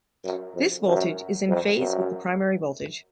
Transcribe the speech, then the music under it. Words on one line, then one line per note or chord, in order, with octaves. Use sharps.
This voltage is in phase with the primary voltage.
F#2
F2
F#2
F2
F#2